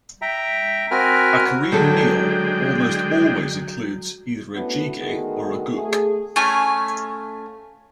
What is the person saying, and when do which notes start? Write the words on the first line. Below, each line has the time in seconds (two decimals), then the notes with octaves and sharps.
A Korean meal almost always includes either a "jjigae" or a "guk".
0.22 E5 G5 A#5
0.91 C4 F#4 A#4 G#5 B5 F6
1.72 D3 F#3 G#3 G#4 A4 G5
4.55 A3 B3 C#4 D4 E4 F#4
4.99 D3 D#3 A3 B3 F#4 G#4
5.76 A3 G#4
6.36 A3 C#4 F4 G#5